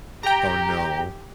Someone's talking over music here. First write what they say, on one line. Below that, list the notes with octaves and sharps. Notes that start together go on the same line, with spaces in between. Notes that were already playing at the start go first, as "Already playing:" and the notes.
Oh, no.
G4 G5 A#5